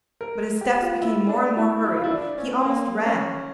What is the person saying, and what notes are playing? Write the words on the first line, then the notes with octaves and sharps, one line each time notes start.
But his steps became more and more hurried, he almost ran.
A#4
G4
F4
E4
D4
E4
E4
F4
E4
D4
C#4
A#3
C#4